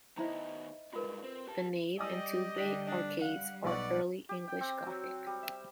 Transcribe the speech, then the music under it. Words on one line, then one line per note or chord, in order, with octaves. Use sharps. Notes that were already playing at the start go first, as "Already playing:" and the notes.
The nave and two-bay arcades are Early English Gothic.
D#3 B3 D#4 E4 C5 D#5 A#5
G2 G#3 F4 A#4 B4
C4
G4 A5
G3 G4 D5 D#5 G#5 D#6 E6
D3 G3 D4 G5 B6 F#7
D4
G3 F5 F#5
B1 B3 B4 D5 F#5 C#6
G4
G5
C4
F#3
G3
E5